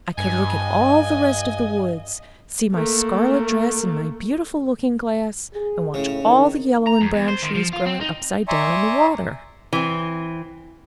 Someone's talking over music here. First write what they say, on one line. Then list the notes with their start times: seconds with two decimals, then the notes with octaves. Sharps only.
I could look at all the rest of the woods, see my scarlet dress in my beautiful looking-glass, and watch all the yellow and brown trees growing upside down in the water.
0.18 G2 D#5 G#5
2.74 A3 A#3
5.53 G#4
5.94 A2 C#3
6.23 D#3
6.87 A#5
7.01 F2
7.15 E2
7.28 C5
7.43 D#3
7.55 F3
7.74 F4
7.86 C4
8.01 D#4
8.48 D5 E5 G#5 A#5 C6 C#6
9.73 E3 C4